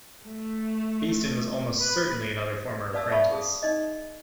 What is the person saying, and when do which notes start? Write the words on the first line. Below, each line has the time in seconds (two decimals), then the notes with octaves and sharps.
Beeston was almost certainly another former apprentice.
0.25 A3
1.80 B4
2.93 B4 D5 F5 A5 D#6 E6
3.11 A4 E5 F5 A5 B5 C#6
3.32 G#4 A5 D#6
3.63 D#4 D#5